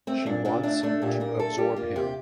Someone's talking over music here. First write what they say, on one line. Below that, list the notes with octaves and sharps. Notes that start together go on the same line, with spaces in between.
She wants to absorb him.
A3 C4
A#2 D4
A#2 D4
A3 D4
A3 D4
A#2 G4
A#2 A#4
A3 A4
G3 G4
A#3 F4
C3 G4